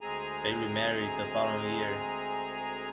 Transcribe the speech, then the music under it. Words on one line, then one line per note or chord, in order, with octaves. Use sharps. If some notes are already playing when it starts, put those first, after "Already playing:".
They remarried the following year.
D2 G#3 C4 G#4 G#5 A#5